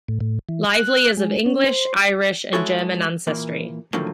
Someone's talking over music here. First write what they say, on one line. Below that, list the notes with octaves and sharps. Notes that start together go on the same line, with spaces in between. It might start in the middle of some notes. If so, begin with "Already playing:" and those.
Lively is of English, Irish and German ancestry.
A2
A2
E3
F#6
G#3
C#4
C5
G#3 E4 F#4 G#4 A4 C#5
A#2 E3 A#3
A2 D3 D#3 F3 F#3 A#3